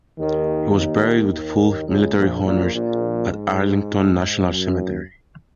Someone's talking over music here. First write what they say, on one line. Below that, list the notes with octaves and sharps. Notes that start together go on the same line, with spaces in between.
He was buried with full military honors at Arlington National Cemetery.
D#2 D#3
D#2 D#3
D#2 D#3
C#2 C#3
A#1 A#2
A#1 A#2
A#1 A#2
G#2
F#2